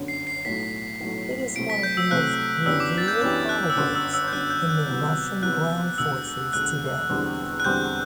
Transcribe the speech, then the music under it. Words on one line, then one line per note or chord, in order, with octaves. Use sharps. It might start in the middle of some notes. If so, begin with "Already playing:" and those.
It is one of the most revered holidays in the Russian Ground Forces today.
Already playing: G1 F#2 D3
C7
C7
B1 A2 F#3 A3 B6
B1 A2 F#3 A3
C2 C3 F#3 A3 C4 D7
B6
G6
E6
C2 C3 F#3 A3 C4 F#6
F#2 E3 B3 D4 G4 E6
D6
A6
G6
F#2 E3 B3 D4 G4 G6
F#6
E6
G1 F#2 D3 F#6
E6
E6
G6
G1 F#2 D3 F#6
G6
F#6
C2 C3 F#3 B3
C2 C3 F#3 B3 F#6
E1 D2 D3 E6
E1 D2 D3 F#6
E1 E2 D3 G3 C4
F#6
E1 E2 D3 G3 C4 G6